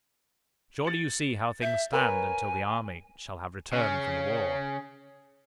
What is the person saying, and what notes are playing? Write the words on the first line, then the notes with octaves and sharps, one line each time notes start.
Surely you see how things stand until the army shall have returned from the war?
A6 C#7 F#7
E5 G6
A#4 B4 C#5 G#5
C#3 C#4